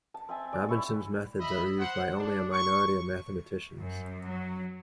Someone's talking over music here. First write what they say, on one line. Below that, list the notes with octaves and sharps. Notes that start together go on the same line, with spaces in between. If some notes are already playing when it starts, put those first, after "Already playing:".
Robinson's methods are used by only a minority of mathematicians.
A5
C4 E5 G#5 A5
D5
E4 C#5 C#6
D#5 E5 B5
C5 F#5
D4
C#6
F#2
F#3